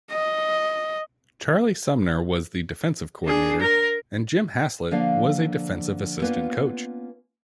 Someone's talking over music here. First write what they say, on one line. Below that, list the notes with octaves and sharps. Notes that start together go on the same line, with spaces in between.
Charlie Sumner was the defensive coordinator and Jim Haslett was a defensive assistant coach.
D#5
D4 G#4
A#4
D3 F3 A#3 D4 D5 F5
A#3 B3 C#4 D4 F4 B4